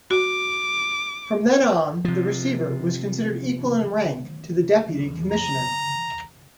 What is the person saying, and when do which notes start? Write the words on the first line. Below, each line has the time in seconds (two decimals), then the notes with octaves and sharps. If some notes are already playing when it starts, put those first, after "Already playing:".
From then on, the Receiver was considered equal in rank to the Deputy Commissioner.
0.11 F#4 D6
2.05 C3 F3
5.32 A#5